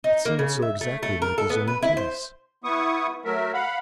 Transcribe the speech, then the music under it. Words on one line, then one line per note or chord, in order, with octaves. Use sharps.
It seemed so exactly like his own case.
D#4
A#3
C#3
E5
A3
A3
A#4
A4
B3
B4
E4
C5
B3 E4 C#6 D#6
F#3 A3 A#4 E5
F5 F#5 B5